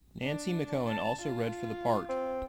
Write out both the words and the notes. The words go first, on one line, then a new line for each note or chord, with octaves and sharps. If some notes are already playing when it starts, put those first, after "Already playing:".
Nancy McKeon also read for the part.
D4
A5
F4
C4